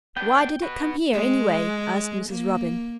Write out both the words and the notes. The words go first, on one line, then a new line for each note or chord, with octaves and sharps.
"Why did it come here, any way?" asked Mrs. Robin.
B3 D4 G5
F#4 B4
G#3
A#3